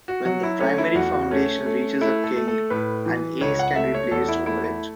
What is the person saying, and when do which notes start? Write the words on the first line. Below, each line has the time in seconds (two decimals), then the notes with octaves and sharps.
When the primary foundation reaches a king, an ace can be placed over it.
0.08 F#4
0.25 F#3 F#4
0.43 E4
0.60 A3 C#4
0.78 E4
0.95 E2 F#4
1.13 F#4
1.31 A3 C#4
1.66 A3
2.01 A3 E4
2.24 A4
2.36 A3
2.48 A4
2.70 A2 B4
3.06 E3
3.41 C#2 C#5
3.59 F#5
3.76 A3 E5
3.94 C#5
4.11 E2 A4
4.28 E4
4.46 A3 E4
4.64 E4